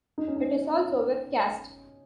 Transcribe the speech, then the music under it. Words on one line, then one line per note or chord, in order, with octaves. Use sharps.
It is also webcast.
D#4
C#4
D#4